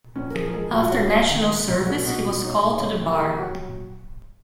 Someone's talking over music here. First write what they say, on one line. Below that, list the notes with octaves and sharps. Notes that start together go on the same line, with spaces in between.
After National Service he was called to the Bar.
A#1 C#4
A#4
F3 G#4
A#4
G#2 G#4
A#1 F#4
F4
C#4 F#4
G#3
D#3
G#2
B1 F4
G#4
A#3 F#4
B2 F#4
B1 F4
D#4 C#5
G#3
C#5
C#3 D#5
D#2
A#4
A#3 G#4
F#3 F#4